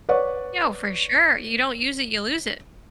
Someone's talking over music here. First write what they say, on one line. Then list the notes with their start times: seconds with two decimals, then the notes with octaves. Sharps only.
Yo, for sure. You don't use it, you lose it.
0.09 B4 C#5 D5 F#5 C#6